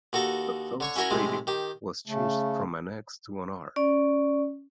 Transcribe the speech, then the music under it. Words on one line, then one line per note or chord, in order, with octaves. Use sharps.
The film's rating was changed from an "X" to an "R".
D#2 F#4 A4 A#5
D3 C#5 C#6
C#4 E4 F#4 A#4 C#5
A2 C3 G#3
D#3 G4
C#3 A3
C#4 D5